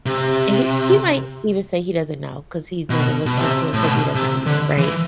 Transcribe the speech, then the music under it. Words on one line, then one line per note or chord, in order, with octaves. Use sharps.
He he might even say he doesn't know 'cause he's never looked into it 'cause he doesn't need it, right?
C3
B2
B2
C3
A2
B2
C3
D3
E3